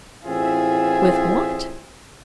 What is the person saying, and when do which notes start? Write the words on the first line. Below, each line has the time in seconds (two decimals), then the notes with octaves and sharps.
"With what?"
0.24 A1 C4 E4 F4 G#4 E5